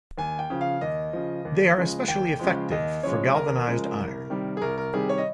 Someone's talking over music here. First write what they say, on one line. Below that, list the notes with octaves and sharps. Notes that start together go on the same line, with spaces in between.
They are especially effective for galvanized iron.
D#2 G#5
G5
C#3 F3
F5
D#2 D#5
C#3 F3
D#2
C#3 F3 G#3
D#2 G5
C#3 F3 G#3
D#2 D#5
C#3 F3 G#3 C#5
D#2 A#4
C#3 F3 G#3
C2
C3 D#3 G3
G#4
C2 A#4
A#4
C3 D#3 G3 G#4
C#5
D#5